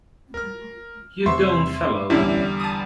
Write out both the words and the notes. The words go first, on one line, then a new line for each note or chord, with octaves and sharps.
You don't follow.
A#4 F6
E2 C3 E5 C6 C#6
E2 D3 G3 C#4 D4 E4
A5 D#6